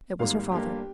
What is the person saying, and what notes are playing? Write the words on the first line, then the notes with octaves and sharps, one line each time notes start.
It was her father.
G#1 G#2 G3 A#3 F5
G1 G2 G3 A#3 G4